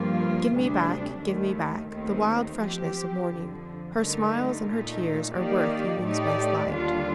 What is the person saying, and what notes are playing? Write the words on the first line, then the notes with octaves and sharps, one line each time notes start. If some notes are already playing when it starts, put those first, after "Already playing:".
"Give me back, give me back, the wild freshness of morning--Her smiles and her tears are worth evening's best light."
Already playing: G2 F3 A#3 F4
D2 C3 G3 D4
D#2 D#3 A3
D#2 D#3 A3 C4 D#4
F3 C4 G4
F2 D3 F3
G2 D3 A3 D#4 A#4
A#2 A3 D#4
D#3 A#3 D#4 G4 D5
A2 A3 D#4 G4 D5
D#2 D3 G3 D4 F4